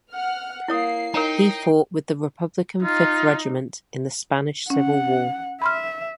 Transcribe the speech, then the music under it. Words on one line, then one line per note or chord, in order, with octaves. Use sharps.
He fought with the Republican Fifth Regiment in the Spanish Civil War.
F#5 F6
A#3 E4 C#5 D#6 C7
D#4 A#4 C#5 G5 A#5
D#4 F4
C#4 F#5
E5 B5 C6 F6